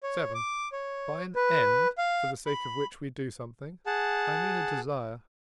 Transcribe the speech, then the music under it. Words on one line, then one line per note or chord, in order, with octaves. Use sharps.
VII. By an end, for the sake of which we do something, I mean a desire.
C#5
D6
C#5
B4
F5
B5
G#4 F#5 A5